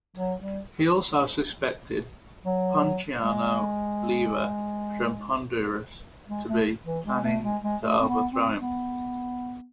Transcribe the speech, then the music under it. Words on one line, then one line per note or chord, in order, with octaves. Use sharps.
He also suspected Ponciano Leiva from Honduras to be planning to overthrow him.
F#3
G3
F#3
G#3
G#3
A3
E3
G#3
A3
G#3
G#3
A3
C4
B3
C4
B3